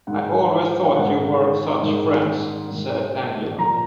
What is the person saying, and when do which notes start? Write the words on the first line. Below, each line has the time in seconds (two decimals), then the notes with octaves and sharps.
"I always thought you were such friends," said Angela.
0.07 G#2 D#3 F#5
0.85 F5
0.95 G#2 D#3 F#5
1.83 G#2 D#3
2.71 G#2 D#3
3.58 A#2 F3 A#5